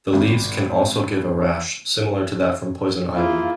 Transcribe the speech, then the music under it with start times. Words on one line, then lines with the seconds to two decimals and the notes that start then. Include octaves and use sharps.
The leaves can also give a rash similar to that from poison ivy.
0.13 G#1
3.14 A#3 E4 F4 G#4